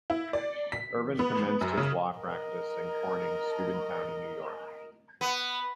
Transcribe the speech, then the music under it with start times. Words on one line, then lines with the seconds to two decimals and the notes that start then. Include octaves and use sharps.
Irvine commenced his law practice in Corning, Steuben County, New York.
0.10 E4
0.33 D5
0.72 B6
1.19 B3
1.61 F#2
1.77 C#3
2.18 A#4 D#5
5.21 B3